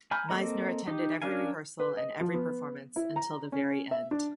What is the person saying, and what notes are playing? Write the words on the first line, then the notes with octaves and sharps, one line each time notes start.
Meisner attended every rehearsal and every performance until the very end.
G#5 A#5 B5 F6 G6
A#3 C4 A4 D#5 A#5
D#4 G4
C#4 D4 A#4 F5 G#5
B4
D#5
F3
B3
E4
A#5
C#4
E5
D4